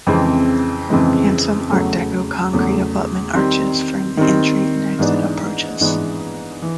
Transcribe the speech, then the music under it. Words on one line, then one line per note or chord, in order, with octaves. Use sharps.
Handsome art-deco concrete abutment arches frame the entry and exit approaches.
F2 C#3 E3 G#3 C4
F2 C#3 E3 G#3 C4
E2 C#3 F#3 A3
E2 C#3 F#3 A3
D#3 G3 C4
D#3 G3 C4
G#2 E3 G#3 B3 D4
G#2 E3 G#3 B3 D4
E3